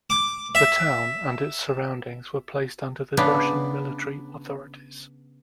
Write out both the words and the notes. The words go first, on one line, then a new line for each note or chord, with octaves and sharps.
The town and its surroundings were placed under the Russian military authorities.
D6
E5
C#3 B3 D4